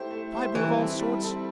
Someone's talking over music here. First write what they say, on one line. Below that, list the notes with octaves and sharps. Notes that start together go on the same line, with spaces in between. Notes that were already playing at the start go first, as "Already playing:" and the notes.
Fibre of all sorts.
Already playing: A3 E4 G4 C5
A3
E4 G4 C5
E3 G3
C4 E4 A4
G3
C4 E4 A4